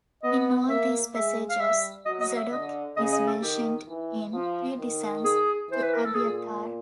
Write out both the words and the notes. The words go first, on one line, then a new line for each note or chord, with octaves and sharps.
In all these passages Zadok is mentioned in precedence to Abiathar.
B3 D#5
A#3 E5
G#3 E5
F5
G3 E5
F#3 D#5
D#5
E5
D3 D#5
C#3 D#5
D#5
A4
D#3 G4
E3
F3
D#3
G#4
E3 C5
B4
A#4
A4
A#2 G#4